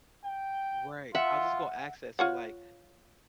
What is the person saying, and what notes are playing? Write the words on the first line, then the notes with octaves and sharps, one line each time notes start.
Right, I was just gonna axe that, so, like,
G5
F4 E5 F#5
F4 C#5 F#5